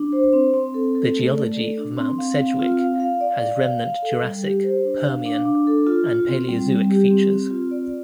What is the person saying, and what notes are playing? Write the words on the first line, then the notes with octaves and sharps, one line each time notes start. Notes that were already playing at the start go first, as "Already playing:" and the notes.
The geology of Mount Sedgwick has remnant Jurassic, Permian and Palaeozoic features.
Already playing: D4
C5
C4
C4
A4
A4
A3
D5
A4
D4
C4
F5
C4
F4
F5
F5
D5
F5
F5
F5
A4
G3
G4
C5
D4
F5
D4
D4
A4
F4
F4
C4
G3
G3
G4
C4
C4
F4
D5